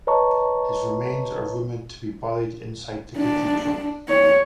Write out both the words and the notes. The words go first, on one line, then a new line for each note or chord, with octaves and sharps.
His remains are rumoured to be buried inside the cathedral.
B4 C#5 D#5 A5 A#5 C#6
D4
C#5